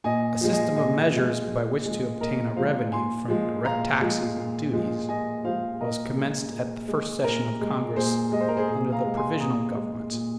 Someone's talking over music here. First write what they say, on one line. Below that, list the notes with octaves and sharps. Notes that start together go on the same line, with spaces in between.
A system of measures by which to obtain a revenue from direct taxes and duties was commenced at the first session of Congress under the provisional Government.
A#2 D#5 G#5
F3 G#3
D#5 G#5
A#2 D#5 G#5
F3 G#3
A#2
F3 G#3
A#2 A#4 D#5
F3 G#3 C5 F5
A#2 G#5 C6
F3 G#3
A#2 F5 A#5
F3 G#3
A#2
F3 G#3
A#2 D#5 G#5
F3 G#3 C5 F5
A#2 A#4 D#5
G#3
A#2
G#3
A#2 A#4
G#3
A#2 G#4 C5
G#3 D#5
C5
A#4
G#4 C5
A#2 G#4
F5 A#5
G#3
G#5 C6
A#2 A#5 D#6
G#3
A#2